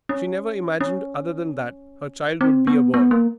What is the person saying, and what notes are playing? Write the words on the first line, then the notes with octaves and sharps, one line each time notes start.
She never imagined other than that her child would be a boy.
C#4
C#4
C4
B3
B3
A#3